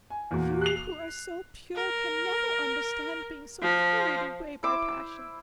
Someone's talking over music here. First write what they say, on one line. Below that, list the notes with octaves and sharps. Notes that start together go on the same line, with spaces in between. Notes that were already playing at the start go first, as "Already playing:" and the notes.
You who are so pure can never understand being so carried away by passion.
G#5
E2 A#2 F#4
F#6 C7 F7
A#4
F3
E4 C5 D6 E6